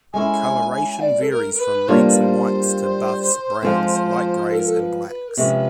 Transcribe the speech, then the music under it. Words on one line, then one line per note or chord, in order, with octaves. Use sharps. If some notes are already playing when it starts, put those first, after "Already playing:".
Colouration varies from reds and whites to buffs, browns, light greys, and blacks.
G#3 C#4 E4 G#5
D5
A4
A#4
A#4
B4
G3 A#3 D4 F4 C#5
C5
B4
C5
F3 G#3 C4
A4
A#4
A4
B4
B4
A#4
C3 F3 G#3 C#4 B4